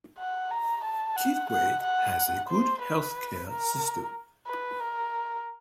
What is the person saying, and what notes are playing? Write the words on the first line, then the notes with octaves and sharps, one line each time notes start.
Kitwe has a good health care system.
F#5
A#5
A5
F#5
F#5
F#5
C5
B4
A#4
B4
A#4